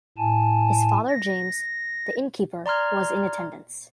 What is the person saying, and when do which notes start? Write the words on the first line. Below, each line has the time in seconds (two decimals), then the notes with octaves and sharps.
His father James, the Innkeeper, was in attendance.
0.18 A2 G#5 A5
1.08 A#6
2.66 D5 A#5 C6 F6 G#6